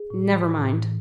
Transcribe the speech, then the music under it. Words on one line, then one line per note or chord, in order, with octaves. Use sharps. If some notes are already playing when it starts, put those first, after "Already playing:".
Never mind.
Already playing: G#4
A2
E3
A2
A2
E3